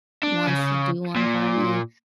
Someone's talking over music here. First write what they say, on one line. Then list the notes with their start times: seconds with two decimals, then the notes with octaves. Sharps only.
wants to do one for me,
0.23 D4
0.47 C#3
1.16 A#2